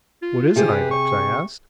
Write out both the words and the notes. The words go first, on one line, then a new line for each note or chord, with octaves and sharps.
"What is an ibex?" I asked.
F4
C3 G4 G#4
B4
C#6